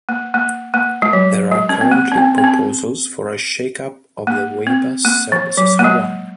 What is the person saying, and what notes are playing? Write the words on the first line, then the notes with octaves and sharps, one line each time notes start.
There are currently proposals for a shake-up of the way bus services are run.
A#3
A#3
A#3
G#3
F#3
G#3
C#4
C4
A#3
C#4
C4
C4
C#4
A#3
C4
A#3
F3
F#3
A#3
G#3